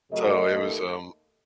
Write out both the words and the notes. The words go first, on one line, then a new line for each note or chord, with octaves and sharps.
so it was, um,
F#2 C#3 F#3 A3 D#5
D#2 A3